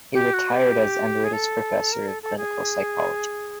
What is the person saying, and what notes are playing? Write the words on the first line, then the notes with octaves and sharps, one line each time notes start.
He retired as Emeritus Professor of Clinical Psychology.
G4
F#4
G4
G#4
A4
A#4
A4
A4
G#4